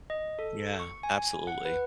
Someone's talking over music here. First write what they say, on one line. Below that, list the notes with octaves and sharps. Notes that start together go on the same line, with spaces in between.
Yeah, absolutely.
D#5
A4
C#6
G#5
F#5
B4